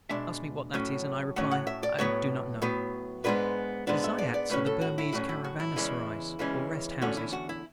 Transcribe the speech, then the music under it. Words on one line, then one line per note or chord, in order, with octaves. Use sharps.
Ask me what that is and I reply 'I do not know.' The zayats are the Burmese caravanserais, or rest-houses.
B2 G#3 D4 E5
A2 F#3 C#4
A2 F#3 C#4 F#5
F#5
E5
D5
A2 F#3 B3 C#5
A2 F#3 B3
G#2 G#3 B3 D4 B4
G#2 G#3 B3 D4
E5
D5
D5
A2 F#3 C#4 B4
A4
F#4
E4
A2 F#3 C#4 F#4
E4
F#4
E4
E2 C#3 E3 G#3 C#4
E2 C#3 E3 G#3 C#4
E2 D3 A3 C#4 F#4
E4
F#4
E4